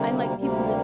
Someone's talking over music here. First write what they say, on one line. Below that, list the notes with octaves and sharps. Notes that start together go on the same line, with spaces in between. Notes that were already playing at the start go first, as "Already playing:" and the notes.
I like people to
Already playing: D2 C3 G3 A#3
D2 C3 G3 A#3